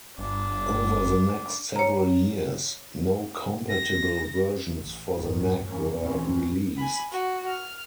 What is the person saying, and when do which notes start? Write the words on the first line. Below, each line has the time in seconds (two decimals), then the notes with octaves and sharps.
Over the next several years, no compatible versions for the Mac were released.
0.18 G1 D4
1.76 C#5 A#5
3.69 A#6
4.73 A1
5.15 G1 D2 A2 D#3
5.68 C2 F2 E3 A#3 C#4
6.00 D2 A#2 E3 C4 C#4
6.78 G#5 B5
7.12 F#4
7.48 F6